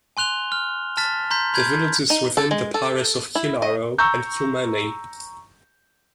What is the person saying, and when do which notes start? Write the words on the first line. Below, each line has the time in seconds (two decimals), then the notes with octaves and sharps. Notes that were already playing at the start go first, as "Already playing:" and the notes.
The village is within the parish of Killarow and Kilmeny.
0.17 G#5 C6 F#6 F7 G7
0.52 F6
0.97 A5 F6 A6 B6
1.30 A#5 C6 G6 B6
1.54 B5 G6 G#6
2.10 D#4
2.37 A4
2.51 G#3
2.74 A4
3.35 E4
3.62 D#5
3.98 A#5 C#6 E6 G6